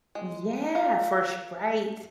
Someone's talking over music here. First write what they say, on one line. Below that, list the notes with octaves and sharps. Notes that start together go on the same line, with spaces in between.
Yeah, for su right.
G#3
F4 A#4 F5